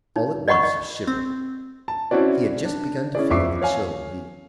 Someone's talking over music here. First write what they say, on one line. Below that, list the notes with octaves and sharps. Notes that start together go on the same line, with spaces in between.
All at once he shivered; he had just begun to feel the chill of evening.
D#4
D5 D#5 F#5 B5 C#6
D#5
C4
A5
C4 C#4 E4 F#4 D5
D4
C#4 E4 G#4 D5
F2 E5 C#6 D6 C7
C#5 F5 G#5